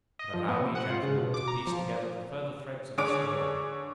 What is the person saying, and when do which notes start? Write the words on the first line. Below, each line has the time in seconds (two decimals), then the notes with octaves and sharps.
But allow me, gentlemen, to piece together the further threads of the story.
0.19 D#5
0.34 F3
0.49 B3
0.61 C3
0.75 F#5
0.90 F4
1.03 C#3
1.18 B2
1.34 D6
1.48 A#5
1.67 F3
2.98 D3 G#4 C#5 D6 D7